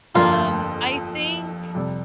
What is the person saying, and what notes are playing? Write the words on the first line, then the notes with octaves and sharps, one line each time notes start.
Um, I think
G1 F2 F3 A#3 F4
F2 C3 G3